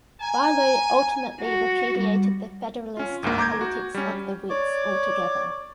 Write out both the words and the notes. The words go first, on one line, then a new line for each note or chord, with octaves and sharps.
Barlow ultimately repudiated the Federalist politics of the Wits altogether.
G#5 A#5
F#4
G3
C#4 F4
G1 D2 G#2 A#3
A#5 D6 G6 G#6
F#4
G3 C#4
C#5 D5 D6